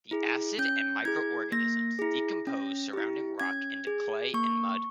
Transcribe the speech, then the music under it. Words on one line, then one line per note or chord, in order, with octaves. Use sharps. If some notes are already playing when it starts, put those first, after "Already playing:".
The acid and microorganisms decompose surrounding rock into clay and mud.
E4 G#4
C#4 G6
E4 G#4 G#6
A#3 A#6
E4 G#4
C#4
E4 G4
C#4 G#6
G#4
A#3 C#6